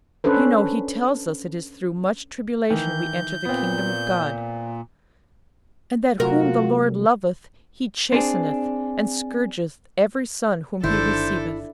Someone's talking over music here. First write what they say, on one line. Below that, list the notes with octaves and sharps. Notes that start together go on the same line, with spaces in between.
You know He tells us it is through much tribulation we enter the kingdom of God; and that whom the Lord loveth He chasteneth, and scourgeth every son whom he receiveth.
C#4 D4 A4 B4 C5
D#3 E3 G6
A#2 B3 C4
C3 F#3 A3 F4 F#4 A#4
C4 D4 G#4
G1 D#3 D4 E4 A4 C5